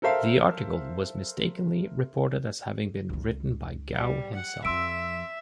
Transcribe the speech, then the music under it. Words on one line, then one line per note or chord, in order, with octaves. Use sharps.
The article was mistakenly reported as having been written by Gou himself.
A4 A#4 C5 E5 F5
C#2 D#3
G3
F#5
F2 F3 E5 C6 E6 D7